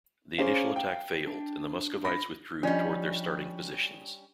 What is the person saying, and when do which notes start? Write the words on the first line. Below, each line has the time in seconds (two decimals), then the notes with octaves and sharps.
The initial attack failed, and the Muscovites withdrew toward their starting positions.
0.39 C#4 G#4 C5 F5 A#5 D6
0.76 G5
1.27 D4
2.05 B5 A#6
2.63 F3 G3 C#4 D4 D5 D#5